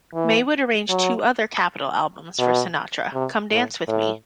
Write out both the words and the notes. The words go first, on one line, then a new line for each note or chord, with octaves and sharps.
May would arrange two other Capitol albums for Sinatra, Come Dance with Me!
E3
F#3
B2
C3
A2
A2